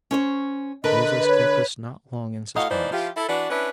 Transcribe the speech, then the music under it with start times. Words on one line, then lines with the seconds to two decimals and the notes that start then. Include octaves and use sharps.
Moses kept us not long in suspense.
0.11 C#4 C5 C#5
0.84 D3 A#4 B4 D#5
1.27 C#5
2.56 A2 F#4 D#5 F5
2.69 E3 F3 D#4 C5 D5
2.92 F3 E4 F4 G4
3.16 E4 A4
3.28 E3 D4 F#4 B4 D5
3.50 C#4 D4 E4 B4